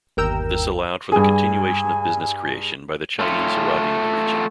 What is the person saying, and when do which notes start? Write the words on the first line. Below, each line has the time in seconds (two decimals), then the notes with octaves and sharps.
This allowed for the continuation of business-creation by the Chinese arriving in the region.
0.17 G1 D#2 A#4 G5 E6
1.12 G2 G#4 G#5
3.19 A3 F4